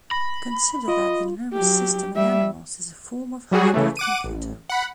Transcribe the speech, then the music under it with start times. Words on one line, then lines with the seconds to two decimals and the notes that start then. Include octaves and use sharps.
Consider that the nervous system in animals is a form of hybrid computer.
0.11 B5 A#6
0.88 F4 D#5
1.53 F#3 G4
2.15 G3 E5
3.51 F#3 G3 F#4 G#4
3.74 C#3 E3 A3
3.97 F#5 D6 D#7
4.24 A1
4.70 F#5 B5